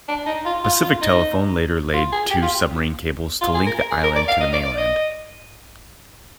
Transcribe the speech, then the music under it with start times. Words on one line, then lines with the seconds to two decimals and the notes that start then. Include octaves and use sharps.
Pacific Telephone later laid two submarine cables to link the island to the mainland.
0.08 D4
0.26 D#4
0.46 F4
0.64 F4
0.83 F4
1.01 D#4
1.94 F4
2.12 G#4
2.31 G4
2.42 F4
3.41 F4
3.54 G#4
3.67 A#4
3.79 A#4
3.91 G#4
4.03 A#4
4.16 D5
4.28 F5
4.40 D#5
4.53 D5
4.65 D5
4.78 D#5